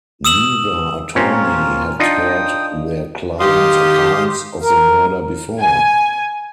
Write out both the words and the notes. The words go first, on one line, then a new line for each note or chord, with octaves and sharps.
Neither attorney had heard their clients' accounts of the murder before.
D#6 E6 E7 F#7
A#2 C4 C#4 F4 A#4 C#5
D4 D#4 F4 G5 D#6
D#3 G4 F5 C6 D#6
A#4
G#5